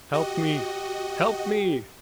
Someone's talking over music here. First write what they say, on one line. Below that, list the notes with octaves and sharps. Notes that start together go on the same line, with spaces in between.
Help me! help me!'
F#4 G4 D#5